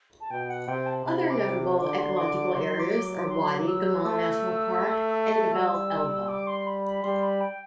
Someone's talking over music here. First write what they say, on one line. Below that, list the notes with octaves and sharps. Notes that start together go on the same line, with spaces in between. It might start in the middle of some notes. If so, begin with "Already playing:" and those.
Other notable ecological areas are Wadi Gamal National Park and Gebel Elba.
A5
B2 G5
F#5
C3 G5
A5
C3 B5
D6
D3 D6
C6
D6
D6
F#3 C6
D6
D6
C6
D6
E6
E6
A3 E6
G3 E6
D6
C6
B5
B5
G3 C6
B5
G5